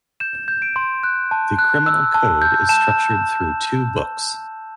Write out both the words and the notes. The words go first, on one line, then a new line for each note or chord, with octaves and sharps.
The Criminal Code is structured through two books.
G6 E7
G6
D7
C6
F#6
A5
F#6
E6
A5
G6
A5 E7